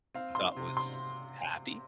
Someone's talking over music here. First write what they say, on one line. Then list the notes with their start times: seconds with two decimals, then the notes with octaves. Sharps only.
you thought was happy?
0.14 C4 F5
0.35 C6
0.57 C3
0.77 C6